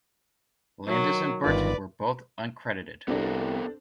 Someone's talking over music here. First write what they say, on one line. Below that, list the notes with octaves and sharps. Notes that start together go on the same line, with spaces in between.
Landis and Burton were both uncredited.
D#3 F#3
G1 D#3 F4 B4 D5
C2 B3 C4 D4 G4 A4 A#4